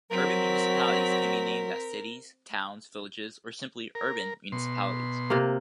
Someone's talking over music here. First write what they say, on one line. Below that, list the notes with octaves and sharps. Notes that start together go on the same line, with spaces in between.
Urban municipalities can be named as cities, towns, villages or simply urban municipalities.
F#3 C4 A#4 B6
A#4
B2 C6
C3 A#3